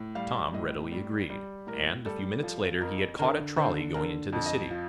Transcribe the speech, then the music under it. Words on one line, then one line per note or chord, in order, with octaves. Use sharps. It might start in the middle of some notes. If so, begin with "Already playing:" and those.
Tom readily agreed, and a few minutes later he had caught a trolley going into the city.
Already playing: A2
G3 F5
A2 D#5
G3
G3
A2 A#4
G3 A4
F3 A4
F2 A#4
D3 A#4
D3 C5
D3 A#4
F2
D#5
F3